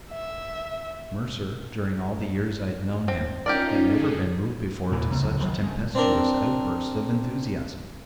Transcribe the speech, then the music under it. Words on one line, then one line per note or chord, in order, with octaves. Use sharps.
Mercer, during all the years I had known him, had never been moved before to such tempestuous outbursts of enthusiasm.
E5
C4
C#4 D#4 F4 G4 A#4 D5
D#4 G#4 A4
E2 A#2 E3
C#2 C3 A#3
C#2 A2 D#3 F#3
D#3 F#3 G#3 B3
G#3 A3
C4 D4 A#4